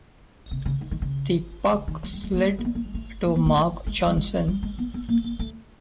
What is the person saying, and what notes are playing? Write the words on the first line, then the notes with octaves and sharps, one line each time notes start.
The puck slid to Mark Johnson.
C3
C#3
D#3
D#3
C#3
D3
D#3
F#3
G3
G#3
A#3
A#3
B3
A#3
G#3
A3
A#3
B3
A#3
A3
G#3
G3
G#3
G3
G#3
B3
B3
A#3
A#3
A3